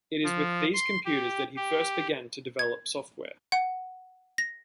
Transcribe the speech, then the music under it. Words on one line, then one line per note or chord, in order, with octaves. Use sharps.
It is with these computers that he first began to develop software.
F3
C6
G4
G4
G#6
F#5
A#6